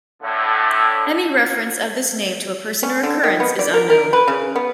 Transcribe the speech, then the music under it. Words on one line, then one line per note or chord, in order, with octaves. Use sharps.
Any reference of this name to a person or occurrence is unknown.
A2 D3
C#4
D3
D#3
B3
D5
A#4
A#4
B4
C#3
B3